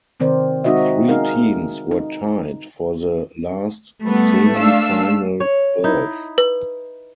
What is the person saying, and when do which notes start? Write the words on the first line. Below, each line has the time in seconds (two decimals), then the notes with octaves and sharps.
Three teams were tied for the last Semi-Final berth.
0.20 C3 D#3 C4 A#4 C5 D5
0.64 G#3 C4 D#4 F#4 D#5 E5
1.08 D#4 G#4 A#4 F5
1.91 D#4
4.04 G3 A3 B3
4.56 D4 F5 E6
5.40 C#5
5.84 D#4 E4
6.38 B4